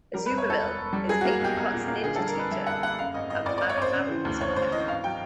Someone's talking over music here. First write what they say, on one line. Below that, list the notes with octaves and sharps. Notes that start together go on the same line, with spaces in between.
Azumarill is Apricot's ninja teacher and Marimaru's mother.
G3 A#4
E1 B4
C#5
E1 A4
E1
E1
G3
F#3 G#4
A#3 F#4
B1 G4
B1
A#2
A#3
D3 G#4
G3 A4
A#4
F2 B4
G3 E5
F2 F#5
A#3 F#5
F#2 F5
G#1 D#5
G#1 D#5
G#1 D5
G#1 D5
C#5
G#1 C5
C#3
E3
D2
D2 C#5
D2 C5
E3 D#5
G#1 F5
F#3 G5